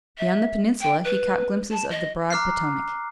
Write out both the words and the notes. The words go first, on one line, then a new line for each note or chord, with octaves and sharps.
Beyond the peninsula he caught glimpses of the broad Potomac.
E5
G5
B4
A5
D#5
A#5 D6 F6 F#6 C7